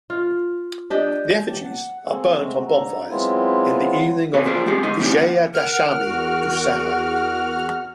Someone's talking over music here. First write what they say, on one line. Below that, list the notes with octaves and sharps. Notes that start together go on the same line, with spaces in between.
The effigies are burnt on bonfires in the evening of Vijayadashami-Dussehra.
F4
D4 G4 D#5
D2 B2 E3 F#3 G4 A5
F#5
A#3 C4 G#4 A4
G#3 A3 C4 F#4
G#2 D4 A4 A#5
F#3 G#3 B3 C4 E4 F4
C4 F#4 G#4 A4 B4
F4 G#4 A#4 C5 D5
G#3 B3 C4 G4 G#4
D2 G#3 D#4 D#5 C6
G3 A#3 C4 C#4 E4 G4
F#5
A#4 F#5 F6
E2 F#4